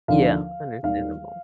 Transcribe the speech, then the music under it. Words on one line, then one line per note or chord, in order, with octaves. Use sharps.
Yeah, understandable.
D#2 D3 F3 F5
D#2 D#3 G3 F5